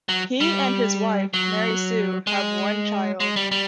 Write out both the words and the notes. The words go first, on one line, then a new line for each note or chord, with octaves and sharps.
He and his wife Mary Sue have one child.
F#3
G3
F#3
G#3
G#3
G3
G3